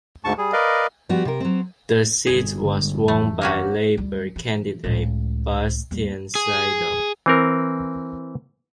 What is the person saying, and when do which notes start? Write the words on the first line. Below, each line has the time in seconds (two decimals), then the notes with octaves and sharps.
The seat was won by Labor candidate Bastian Seidel.
0.24 D2 G#2 A5 C#6
0.38 G3 G#4
0.53 A#4 B4 D5 D#5 F5
1.09 F3 G3 B3 F#4
1.25 C3 A#4
1.40 F#3 C4
2.27 G1 G#4
2.65 D3 G#3
3.08 F2 E3 A3
3.41 A#3 C#4 F#4
3.97 D2 G3
4.36 E3
4.84 C#2 A2
5.91 D#2 G3
6.35 G#4
7.26 E3 C4 A#4